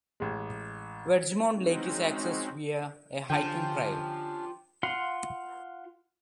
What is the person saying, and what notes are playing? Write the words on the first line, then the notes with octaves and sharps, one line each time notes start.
Wedgemount Lake is accessed via a hiking trail.
A1 G#3
G#3 C4 C#4 D#4 F#4
D3 F3 C#4 D4 G4 G5
F4 F5 F#5 C6